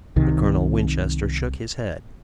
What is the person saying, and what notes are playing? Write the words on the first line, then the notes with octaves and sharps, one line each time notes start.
But Colonel Winchester shook his head.
C2 C3 D#3